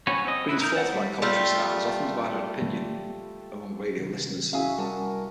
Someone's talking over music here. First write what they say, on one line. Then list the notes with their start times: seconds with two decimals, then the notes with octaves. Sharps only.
Green's forthright commentary style has often divided opinion among radio listeners.
0.07 C4 C#4 F#4 B4 C#5
0.25 C4 D#5
0.49 E4 B4
0.60 D#4 A#4 G6
0.75 C5 D5 F#5
0.93 G3
1.22 G3 A3 F4
3.98 C3 D#3
4.53 C#4 E4 F#4 G#4 E5 F5 G#5
4.78 G3 A#4 F#5 G#5 A5